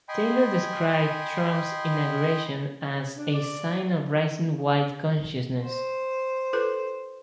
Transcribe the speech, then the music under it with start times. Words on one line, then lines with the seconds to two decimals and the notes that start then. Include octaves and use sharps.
Taylor described Trump's inauguration as "a sign of rising white consciousness".
0.09 D#5 G5 G#5 B5 C6
3.15 D4
3.34 D5
5.64 C5
6.53 F4 A4 B4